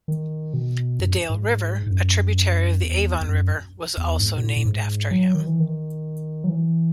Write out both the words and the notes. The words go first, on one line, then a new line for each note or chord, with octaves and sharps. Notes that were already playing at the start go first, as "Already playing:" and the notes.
The Dale River, a tributary of the Avon River, was also named after him.
D#3
B2
F#2
G#2
G#2
F#2
E2
E2
F#2
E2
G#2
B2
A2
A2
G#2
F#3
D#3
E3
D#3
F#3
E3